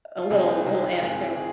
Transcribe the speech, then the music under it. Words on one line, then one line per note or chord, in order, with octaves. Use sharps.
a little little anecdote;
F4
C2 C3 D#3 A#3 D#4 G#4
C2 C3 D#3 A#3 D#4
F4
G#2 D#3 G#3 C4 G#4
F4
D#3 G#4